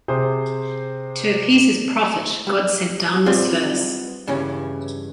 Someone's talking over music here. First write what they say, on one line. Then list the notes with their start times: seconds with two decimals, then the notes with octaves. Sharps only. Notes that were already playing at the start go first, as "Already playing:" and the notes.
To appease his prophet, God sent down this verse.
0.08 C3 G#4 C5 D#6
2.47 G3
3.26 G3 B3 C4 F4 G#4
4.27 G2 C#3 E3 C#4